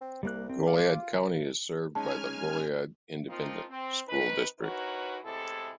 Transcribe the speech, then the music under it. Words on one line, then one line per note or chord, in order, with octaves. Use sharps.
Goliad County is served by the Goliad Independent School District.
C4
C2 G3 A#3 F#6
C4
F4 D6
G#3 C#4 D#4 G#5 A5 F6
F3 A#3 C4 D#4 F4
C4
D#3 C4 D#4 B4
E3 D#4 F#4 A#4 B4 C#5
E2 A2 C3 G#3 E4 A4